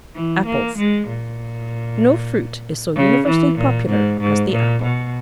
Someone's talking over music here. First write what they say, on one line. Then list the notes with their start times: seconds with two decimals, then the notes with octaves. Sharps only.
APPLES.--No fruit is so universally popular as the apple.
0.15 E3
0.46 A#3
0.78 G#3
1.08 A#2
2.96 C#3
3.27 E3
3.58 A#2
3.89 G#2
4.20 G#2
4.52 A#2
4.82 B2